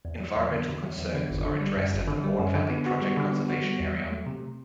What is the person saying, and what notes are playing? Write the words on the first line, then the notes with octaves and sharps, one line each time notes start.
Environmental concerns are addressed at the Maun Valley Project Conservation Area.
E2
F#3
E2
D3
E2
F#3
E2
D3
G1
D3
G3
F#2
G1
D3
G3
F#2
D3
B3
F#4
G3
D3
B3
F#4
G3
E2
F#3
A3
C3